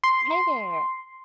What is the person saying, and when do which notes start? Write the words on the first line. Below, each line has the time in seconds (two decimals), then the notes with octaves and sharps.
Hey there.
0.04 C6